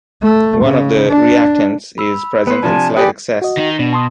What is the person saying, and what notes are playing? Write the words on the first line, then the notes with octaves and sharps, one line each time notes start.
One of the reactants is present in slight excess.
A3
C#3
D4
B5 E6
B3 B4 C5
C3 F3 D4 G#5 A5
G4 B4 D5 G5 G#5 D#6
F#4 D#5
D#3 D#4
B2 D4
A5 C6 D#6